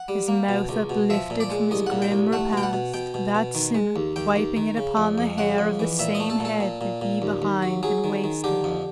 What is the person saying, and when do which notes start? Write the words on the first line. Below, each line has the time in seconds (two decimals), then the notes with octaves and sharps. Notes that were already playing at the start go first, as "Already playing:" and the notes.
His mouth uplifted from his grim repast, That sinner, wiping it upon the hair Of the same head that he behind had wasted.
Already playing: F#5
0.08 G3
0.28 A#3
0.49 B2
0.69 C#2
0.89 B2
1.10 F3 E5
1.30 A#2
1.40 D5
1.50 G#3
1.71 C2 D#5
1.86 A#2 F#5
2.02 G5
2.12 C2
2.33 A3 F#5
2.53 B2 G5
2.63 F#5
2.73 B2
2.94 B2 G5
3.14 B2
3.35 B2
3.55 D#3
3.74 G#3
3.96 D#2
4.16 D#2 G5
4.36 D#2
4.57 D#3
4.77 C#3
4.97 F2
5.18 F2
5.38 C#3 F#5
5.58 F2
5.79 E3
5.99 A#2 E5
6.15 D#5
6.20 A3
6.30 A4
6.40 A#2 A4
6.60 A#2
6.81 A#2
7.01 A#2
7.22 D#2
7.42 D#2
7.62 F#3
7.83 F#3 G#4
8.04 D#3
8.24 D#3
8.44 D3 G4
8.64 F2